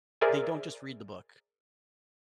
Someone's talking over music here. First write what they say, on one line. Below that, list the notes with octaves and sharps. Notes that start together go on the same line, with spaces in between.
they don't just read the book.
G#4 A#4 C5 D5 E5 G#5